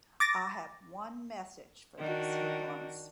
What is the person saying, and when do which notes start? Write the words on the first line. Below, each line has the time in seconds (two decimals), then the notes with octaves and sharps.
I have one message for these hoodlums.
0.20 D6 A6 A#6
1.98 D#3 D4 F#4